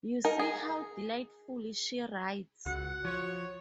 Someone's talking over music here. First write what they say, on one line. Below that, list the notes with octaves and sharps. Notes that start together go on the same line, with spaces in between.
You see how delightfully she writes.
D#4 A#4
G#4
C#2 F#4 F#5
F3 C#5